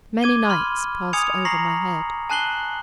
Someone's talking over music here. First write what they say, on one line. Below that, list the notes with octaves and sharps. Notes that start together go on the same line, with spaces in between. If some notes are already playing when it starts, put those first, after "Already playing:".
Many nights passed over my head.
D6 G#6 D#7 G7
B5 C6 F6
G#5 D#6 G#6 C#7 F7
A#5 C#6 A#6 C7 F#7
G#5 A5 F#6 C7 F#7 G7